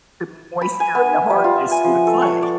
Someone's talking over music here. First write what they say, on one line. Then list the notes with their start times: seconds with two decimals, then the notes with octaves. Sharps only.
the moisture and the hardness in the clay,
0.61 B5
0.80 G#5
0.95 B3
1.13 E5
1.30 G3
1.44 F4
1.56 E5
1.71 G#5
1.84 F3
2.07 A4
2.22 C#5
2.43 D5